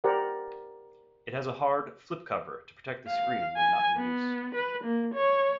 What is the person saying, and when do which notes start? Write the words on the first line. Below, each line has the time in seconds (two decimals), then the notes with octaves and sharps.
It has a hard flip-cover to protect the screen when not in use.
0.04 G4 A#4 C5 D5 F#5
3.08 F5
3.56 G#5
3.97 B3
4.55 B4
4.84 A#3
5.14 C#5